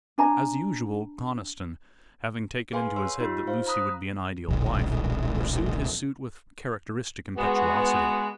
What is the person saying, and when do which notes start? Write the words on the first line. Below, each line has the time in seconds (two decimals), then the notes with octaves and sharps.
As usual, Conniston, having taken into his head that Lucy would be an ideal wife, pursued his suit with characteristic impetuosity.
0.18 D4 G#5 A#5
2.72 G#4 B4 F5 G#5 C6
2.96 C#5 C6 E6
3.20 D#4 F4 G4
3.47 C5 F5
3.67 A#5 B5 D#6 F#6
4.48 D#1 B1
7.37 G#3 B3 F#4